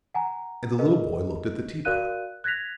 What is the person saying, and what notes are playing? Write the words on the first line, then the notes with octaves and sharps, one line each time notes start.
And the little boy looked at the tea-pot.
F#5 G#5 A#5
G#4 A#4 B4 D#5
F#4 A#4 D5 F5 F#6 D#7
F#6 G#6 A#6 B6 F7